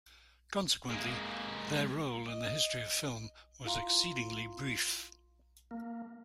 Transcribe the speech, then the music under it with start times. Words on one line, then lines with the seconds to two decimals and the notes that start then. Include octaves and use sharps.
Consequently, their role in the history of film was exceedingly brief.
0.90 G#3 A#3
2.26 D#5
3.65 E4 F4 F5 A#5 C6
5.71 A#3